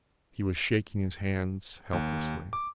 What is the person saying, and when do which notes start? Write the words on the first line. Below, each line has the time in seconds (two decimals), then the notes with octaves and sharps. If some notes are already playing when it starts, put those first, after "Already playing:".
He was shaking his hands helplessly.
1.93 D#2
2.53 D6